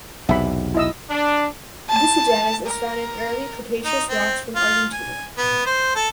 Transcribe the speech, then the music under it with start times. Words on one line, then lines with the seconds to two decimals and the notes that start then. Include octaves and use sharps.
This genus is found in Early Cretaceous rocks from Argentina.
0.29 B1 E2 C3 E5 B5
0.75 E4 D#5 E6
1.10 D4
1.89 A5
2.67 A#4
3.85 D#4
4.09 C4
4.56 F4
4.92 G#5
5.38 B3
5.66 C5
5.95 A4